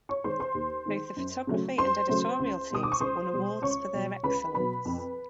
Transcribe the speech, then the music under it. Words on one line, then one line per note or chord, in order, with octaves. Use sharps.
Both the photography and editorial teams have won awards for their excellence.
C#5 C#6
D#3 G#3 C5 C6
C5 C6
D#2
D#3 G#3
F#2
C#3 F#3 A3
F#2 C5 C6
C#3 F#3 A3
C#2
B2 G3 D#6
D6
C#6
C#2 C5 C6
B2 G3
C#2 C#5 C#6
B2 F#3
C#2 B4 B5
B2 F#3 B4 B5
F2